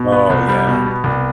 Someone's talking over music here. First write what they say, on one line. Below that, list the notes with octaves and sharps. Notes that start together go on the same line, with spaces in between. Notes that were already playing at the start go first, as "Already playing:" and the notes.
Oh, yeah.
Already playing: B2
B3
C2
G3
B2
B3
C2